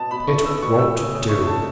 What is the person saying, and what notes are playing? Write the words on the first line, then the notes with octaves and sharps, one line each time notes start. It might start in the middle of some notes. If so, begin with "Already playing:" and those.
It won't do.
Already playing: B2 B3 A5
B2 B5
E4 C#6
B3 E6
B2 C#6
A3 E6
C#3
C#3
E4 C#6
A3 A5